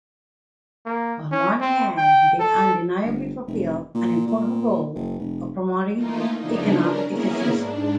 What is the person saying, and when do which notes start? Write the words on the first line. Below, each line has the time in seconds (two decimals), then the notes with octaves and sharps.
On one hand, they undeniably fulfill an important role of promoting economic efficiency.
0.86 A#3
1.32 C#4
1.61 C4
1.98 G5
2.40 A4
3.04 G1
3.47 F1
3.94 A#2
4.27 A#2
4.95 F#1
5.19 F1
5.94 E3 A3 A#3 D#4 F4
6.37 C#3 E3 F3 B3 D4 D#4
6.74 C#4 D4 A#4
7.08 A#3 B3 C#4 E4 G#4 A#4
7.46 G#2 D4